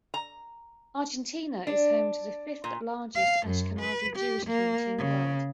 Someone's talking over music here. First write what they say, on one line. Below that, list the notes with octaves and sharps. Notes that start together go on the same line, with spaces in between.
Argentina is home to the fifth largest Ashkenazi Jewish community in the world.
A#5
D4
A#2
F5
F#2
B4
G4
A#3
C#3